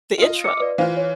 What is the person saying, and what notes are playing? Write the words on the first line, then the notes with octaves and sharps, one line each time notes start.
the intro.
F4 D#5
D6 C#7
B4 D5
E3 F4 C5 F5
C#5